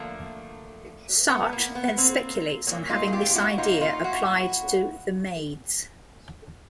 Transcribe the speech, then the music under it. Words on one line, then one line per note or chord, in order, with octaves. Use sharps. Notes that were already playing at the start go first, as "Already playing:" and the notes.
Sartre then speculates on having this idea applied to "The Maids".
Already playing: D3 F3 A3 A#3
B3
A#3
B3
A#3 C4
A#2 F#3 A#3
D#4 F4
G#4
F4 G4
E4 F#4
D#4 F4
D#4 F4
E4 F#4